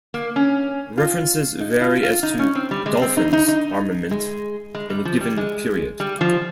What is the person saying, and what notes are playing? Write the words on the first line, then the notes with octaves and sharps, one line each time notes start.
References vary as to "Dolphin"s armament in a given period.
A#3
C#4
F4
D#4
F4
F4
D#4
C#4
C4
G3
G#3
C4
D#4
D#4
D#4
G#3
G#3
G3
F3
G3
G#3
G3
F3